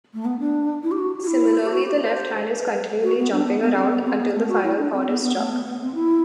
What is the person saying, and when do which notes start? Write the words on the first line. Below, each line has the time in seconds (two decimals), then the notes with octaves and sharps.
Similarly, the left hand is continually jumping around until the final chord is struck.
0.14 A3
0.25 B3
0.39 D4
0.83 E4
0.91 G4
0.98 F#4
1.23 F#4
1.27 E4
1.65 G4
1.71 F#4
1.86 G4
2.00 C5
2.59 B4
2.73 B4
3.02 F#4
3.18 B3
3.32 D4
3.47 B3
3.62 B3
3.76 C4
3.90 B3
4.05 C4
4.19 B3
4.34 A3
4.49 F#4
4.63 E4
4.78 D4
4.93 C4
5.07 B3
5.22 B3
5.37 A3
5.51 B3
5.65 B3
5.81 C4
5.95 E4